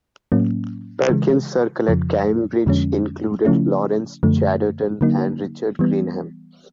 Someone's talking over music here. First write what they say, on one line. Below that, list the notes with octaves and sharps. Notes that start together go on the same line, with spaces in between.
Perkins's circle at Cambridge included Laurence Chaderton and Richard Greenham.
A2 F#3 A#3 C#4
C#3 E3 G#3
F2 C#3 F3
F2 D3 F3 G#3 C#4
C#3 F3 A3 C#4 E4
F#2 D3 F3 A3
D3 F#3 A#3 D#4
E3 G3 B3